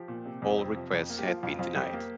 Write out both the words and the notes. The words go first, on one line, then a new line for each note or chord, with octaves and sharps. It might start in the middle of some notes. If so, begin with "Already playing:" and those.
All requests had been denied.
Already playing: F3 G4
A#2
C3
F2
C3
F3
F2
A#3
G4
F3 F4
F2 F4
F2 F4
F2 G4
A#3